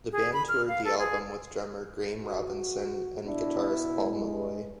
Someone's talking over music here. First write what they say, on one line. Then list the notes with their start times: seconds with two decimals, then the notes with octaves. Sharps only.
The band toured the album with drummer Graeme Robinson and guitarist Paul Molloy.
0.12 G#4
0.33 B5
0.49 F6
0.68 F5
0.85 A4
0.99 G#4
2.21 F#4
3.25 B2 D4 E4
3.99 G#3